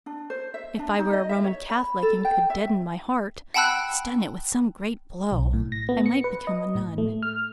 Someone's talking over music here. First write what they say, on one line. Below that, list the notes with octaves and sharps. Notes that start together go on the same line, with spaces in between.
If I were a Roman Catholic and could deaden my heart, stun it with some great blow, I might become a nun.
D4
C5
E5
D4
D#4
D#5
E5
C#5
B5
A4
G5
E5
F#5 G5 A5 B5 E6 F#6
B1
A2
A#6
B3
C#7
B4
D#5
A2
A3
F6